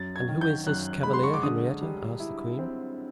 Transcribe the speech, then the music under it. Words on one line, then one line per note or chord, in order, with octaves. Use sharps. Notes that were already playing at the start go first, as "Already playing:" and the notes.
"And who is this cavalier, Henrietta?" asked the queen.
Already playing: F#2 A6
G#6
D#3
G6
F#2 F#6
G#3 B5
C6
C#6
D6
D3 D#6
G3
E4
C4